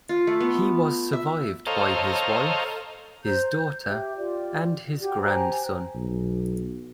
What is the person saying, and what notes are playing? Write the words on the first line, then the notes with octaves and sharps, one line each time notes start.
He was survived by his wife, his daughter, and his grandson.
F4
A3
B3
E5
A4 C5 C#5 D#5 F5 A#5
C5 A#5 G6
G6
G4 E5
F4 G4 D5
F#4 G4 G5
G4 C5 G#5 A#5
B1